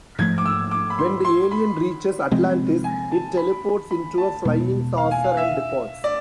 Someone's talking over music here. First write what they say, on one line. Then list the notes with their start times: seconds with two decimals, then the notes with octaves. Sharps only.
When the alien reaches Atlantis, it teleports into a flying saucer and departs.
0.19 G#2 F3 A3 G#6
0.38 D6
0.45 E6
0.71 D6
0.90 B5
0.99 C6
1.25 C6
1.51 B5
2.31 C3 F3 G#3 C4
2.84 G#5
3.11 A5
3.37 B5
3.91 B5
4.18 A5
4.45 E2 B2 G#3 B3
4.97 F5
5.11 G#5
5.24 F5
5.37 E5
6.04 D5